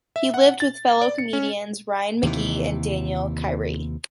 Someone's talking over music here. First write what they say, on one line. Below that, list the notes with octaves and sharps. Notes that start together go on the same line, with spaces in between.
He lived with fellow comedians Ryan Magee and Daniel Kyre.
E5
F#5
A6
D5
C#7
C#4
D#2 C3 E3